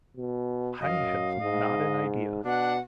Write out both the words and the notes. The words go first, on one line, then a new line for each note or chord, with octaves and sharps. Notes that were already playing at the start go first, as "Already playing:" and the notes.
"I have not an idea."
B2
F#2 D#5 F5
G#2 D#5
B2 D4 F#5